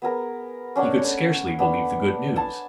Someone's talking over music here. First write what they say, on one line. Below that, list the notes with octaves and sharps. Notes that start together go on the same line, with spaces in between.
He could scarcely believe the good news.
B3 G#4 A#4
C#4 D4 F#5 C#6
A3 C#5
B3 D4
G#5 A5